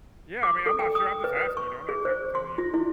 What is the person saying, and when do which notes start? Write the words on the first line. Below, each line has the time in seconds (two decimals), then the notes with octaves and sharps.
Yeah, I mean, I'm not sure, I'm just asking, you know? I'm not tell telling you
0.43 D6
0.66 A4
0.79 G5
0.95 D#6
1.24 B4
1.37 B4
1.57 C#6
1.89 G#4
2.05 C5
2.35 C6
2.58 F4
2.74 E4